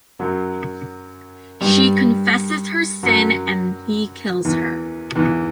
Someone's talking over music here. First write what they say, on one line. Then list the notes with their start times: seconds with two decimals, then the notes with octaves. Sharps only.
She confesses her sin and he kills her.
0.19 F#2 F#3
1.61 G2 G3
3.03 F#2 F#3
4.45 E2 E3
5.15 E2 E3